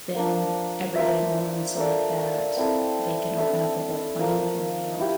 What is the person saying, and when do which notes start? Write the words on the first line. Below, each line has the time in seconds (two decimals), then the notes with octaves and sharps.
then everyday moments like that, they can open up a whole plane for you
0.15 F3 A#3 D4
0.95 A#3 F4 C5 E5
1.77 A#3 D4 A4 D5
2.57 C4 E4 A4
3.38 D4 A4 E5
4.19 F3 A#3 F4
4.99 E4 G4